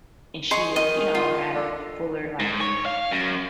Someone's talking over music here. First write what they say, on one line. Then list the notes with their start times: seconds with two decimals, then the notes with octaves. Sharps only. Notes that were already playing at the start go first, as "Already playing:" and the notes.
and she was, you know, had fuller like
0.51 G#3 G#4 C6 C#6
0.76 D#3 D#5
1.15 F4
1.55 D3
2.40 G#2
2.61 C#5
2.86 F5
3.11 F#2